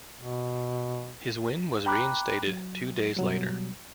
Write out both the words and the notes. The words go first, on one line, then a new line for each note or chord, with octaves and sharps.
His win was reinstated two days later.
B2
G5 A#5 B5 D6 F#6
F#3
B2 F#3 G3